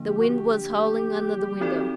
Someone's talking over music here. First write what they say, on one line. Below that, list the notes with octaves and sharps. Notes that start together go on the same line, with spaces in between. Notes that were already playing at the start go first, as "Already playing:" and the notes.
The wind was howling under the window.
Already playing: D3 F3 A#3 D4
G4
F#4
G4
C4 D#4 F#4 A4 D5